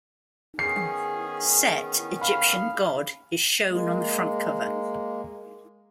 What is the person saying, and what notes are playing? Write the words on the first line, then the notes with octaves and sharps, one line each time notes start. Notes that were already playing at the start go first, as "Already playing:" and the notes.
Set, Egyptian god, is shown on the front cover.
D#3 B3 C#4 G#4 C7
F5 B5
G#3 A#3